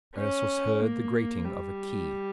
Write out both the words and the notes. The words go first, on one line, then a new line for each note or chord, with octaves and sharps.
Ursus heard the grating of a key.
C#4
A#3
G3